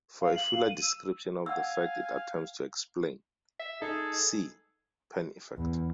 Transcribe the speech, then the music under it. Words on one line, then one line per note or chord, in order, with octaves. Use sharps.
For a fuller description of the fact it attempts to explain see: Penn effect.
F5
F#7
F5
D#7
E6
F5 F#5 G#5 E6
E5
D#4 G#4 A4
E2